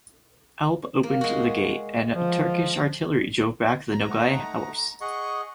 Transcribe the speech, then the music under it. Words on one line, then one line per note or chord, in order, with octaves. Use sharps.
Alp opened the gate and the Turkish artillery drove back the Nogai horse.
A#3
G#3 F#4
F3
A#5
A3 D#4 F#5
G#4 D#5 F#5 C#6